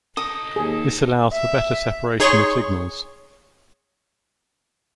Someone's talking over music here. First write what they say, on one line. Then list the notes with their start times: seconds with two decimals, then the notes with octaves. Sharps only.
This allows for better separation of signals.
0.17 D#4 A4 D#6
0.56 D#2 G#4
1.32 E5
2.20 D#4 G#4 C#5 C6 C#6